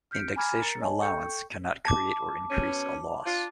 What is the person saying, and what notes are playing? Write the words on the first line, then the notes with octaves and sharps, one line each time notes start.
Indexation allowance cannot create or increase a loss.
F6 G6 B6 C#7 D7
G#5 A#5 B5 D6 F6 G#6
A#4 A#5 A6 C#7
C#5 D#5 G#5 A5
A4 G5 C#6 G6 C#7
A5 D6
B2 C#4
D4 F4